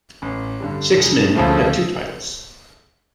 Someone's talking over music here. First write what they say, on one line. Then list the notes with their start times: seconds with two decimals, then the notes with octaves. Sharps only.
Six men have two titles.
0.22 A1
0.60 G2 D3 G3
0.97 E1
1.35 D2 C#3 F3 A3